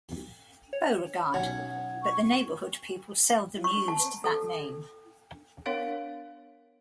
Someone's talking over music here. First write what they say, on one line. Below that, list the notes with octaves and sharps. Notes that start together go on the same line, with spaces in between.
Beauregard, but the neighborhood people seldom used that name.
C#5
B1 C#4 F#5 G#6
C#6
C#6
A5
A4
B3 D4 A#4 C#5 F5 F#5